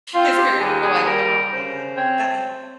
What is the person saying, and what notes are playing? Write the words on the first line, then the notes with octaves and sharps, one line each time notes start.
His parents were like, "Aw, man, that he
C4 F4
G4
D#2 G#4
G#4
G3 A#4
C#3 C5
C4 C#5